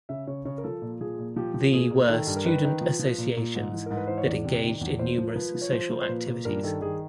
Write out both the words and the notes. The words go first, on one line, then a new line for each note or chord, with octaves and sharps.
The were student associations that engaged in numerous social activities.
C#3 E5
C#3 C#5
C#3 C#5
A#4
F3 A4
A#2
F3 G#4
A#2
F3 G4
F3
A#2 G#4
A#2
D#3 A4
G2
A#4
D#3 B4
D#3
F3
F3
A#2
A#2
G#2
E3
G#2 A#4
B4
E3 C5
C#5
E2 D5
C3
D#3
E2
A#2 C5
F3
A#4
F3 B4
F3
C#5
F3 C5
F3
C5
A#2 B4
A#2
G2 A#4
D#3 A4
D#3 G#4